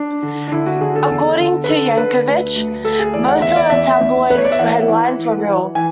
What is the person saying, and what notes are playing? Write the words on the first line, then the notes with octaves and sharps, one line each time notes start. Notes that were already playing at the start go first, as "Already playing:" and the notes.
According to Yankovic, most of the tabloid headlines were real.
Already playing: D4
D3
D4
D3 E4
F#4
D3 G#4
A4
E2
D3
B4
D3 A4
D3 B4
D2
D2
D2 A4
G#4
E3 D5
F#5
E2 E5
D5
E2 E5
E2
E2 B4
C#5
D5
E5
E3 F#5
E3
E3
E3
E3 G#5